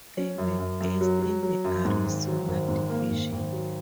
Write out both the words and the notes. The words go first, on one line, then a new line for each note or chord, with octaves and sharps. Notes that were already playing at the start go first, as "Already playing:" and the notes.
They were based in the Arizona Division.
C#4
F#2
F#2
F#2
F#3
F#3
F#3
F#2
G#2
G#1
F#3
G#1
G#2
A#3
G#1
G#1
F#3